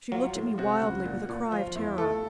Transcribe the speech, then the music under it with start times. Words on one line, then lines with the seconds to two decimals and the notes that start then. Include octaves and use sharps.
She looked at me wildly, with a cry of terror.
0.12 F#3 F4
0.35 A2
0.58 C3 F#4
0.82 C#2
1.06 A#2
1.29 A#2
1.51 F3 F4
1.75 E2 E4
1.98 A3 A4